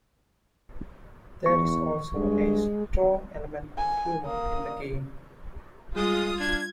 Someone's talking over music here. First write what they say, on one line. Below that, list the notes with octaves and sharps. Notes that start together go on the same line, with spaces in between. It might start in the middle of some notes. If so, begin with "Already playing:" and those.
There is also a strong element of humour in the game.
E2 C#6
G2 G#3
G#5
A#3 D#6
G3 G#3 F4 D#6
D4 G#6